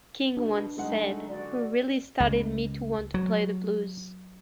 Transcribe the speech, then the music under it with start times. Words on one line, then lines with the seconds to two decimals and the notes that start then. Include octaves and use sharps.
King once said, who really started me to want to play the blues.
0.37 B2 D4
0.77 F#1 G#3 A3 D#4 F#5
1.28 G2 D3 F#4 D5
2.20 C#2
3.14 F#3